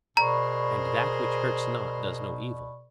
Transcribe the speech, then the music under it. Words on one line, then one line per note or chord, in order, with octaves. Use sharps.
And that which hurts not does no evil?
B2 G#4 A#4 C5 D5 A#5 B5 C#6